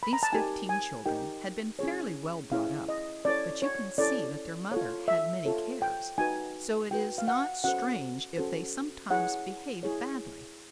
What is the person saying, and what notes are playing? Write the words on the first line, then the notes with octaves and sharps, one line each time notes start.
These fifteen children had been fairly well brought up, but you can see that their mother had many cares; so it is not strange if they sometimes behaved badly.
B5
A#5
A5
D#4 G4 A#4 G#5
G#5
D#4 G4 A#4 G5
C#4 E4 G#4 C#5
C#4 E4 G#4 C#5 F5
D#5
C#4 E4 A4 C#5 D5
C#5
C#4 E4 A4 C#5 D5
F4 A4 C#5
E5
F4 A4 C#5
G5
D#4 F#4 B4 G#5
D#4 F#4 B4 G5
F5
F#5
C#4 F#4 A4 C5 F#5
C#4 F#4 A4 C5
E4 G#4 C#5 F#5
E4 G#4 C#5